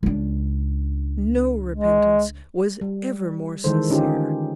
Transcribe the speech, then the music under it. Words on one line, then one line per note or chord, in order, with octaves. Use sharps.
No repentance was ever more sincere.
C#2 D4
G#3
G3
D#3 E3 G#3 A4 C5
D3 C#4 D#4 F4 G4